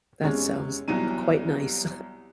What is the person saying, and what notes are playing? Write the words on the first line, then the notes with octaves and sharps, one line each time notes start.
That sounds quite nice.
E2 C3 G#3 C#4
C2 B2 E3 F#3 D#7